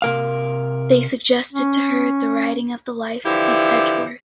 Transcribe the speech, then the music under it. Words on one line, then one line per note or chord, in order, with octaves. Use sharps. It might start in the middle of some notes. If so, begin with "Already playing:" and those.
They suggested to her the writing of the life of Edgeworth.
C3 A#4 F5
C#4
D3 E3 F3 E4 G4